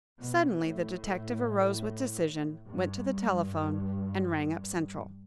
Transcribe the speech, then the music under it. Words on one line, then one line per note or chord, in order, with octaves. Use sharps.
Suddenly the detective arose with decision, went to the telephone, and rang up Central.
B2
A2
G2